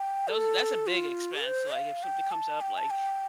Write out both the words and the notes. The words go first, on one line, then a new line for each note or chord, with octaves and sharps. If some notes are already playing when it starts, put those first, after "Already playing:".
Those ar that's a big expense, like, if something comes up, like,
Already playing: G5
A4
F4
C5
F5
G5
A5
G5
A5
G5